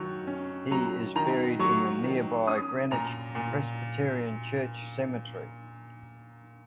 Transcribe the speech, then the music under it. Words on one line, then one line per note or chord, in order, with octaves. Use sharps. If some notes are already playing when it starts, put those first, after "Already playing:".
He is buried in the nearby Greenwich Presbyterian Church Cemetery.
Already playing: D#3 F#3 C#6
C#4
F#3 A#5
D#3 A#5
F#3 C#6
D#3
C#4 D#6
A#2 A#5
A#2